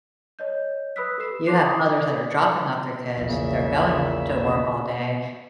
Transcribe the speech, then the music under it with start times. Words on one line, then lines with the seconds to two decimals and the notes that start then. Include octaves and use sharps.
You have mothers that are dropping off their kids, they're going to work all day,
0.39 C#5 D#5 G6
0.96 B4 B5 D#6 E6 F#6 B6
1.18 G4 A4 B4 C7 E7
1.46 E4 C6 D6 F#6 C7
1.66 D6 D#6
3.18 A#1 E2 A#2 C#3 E5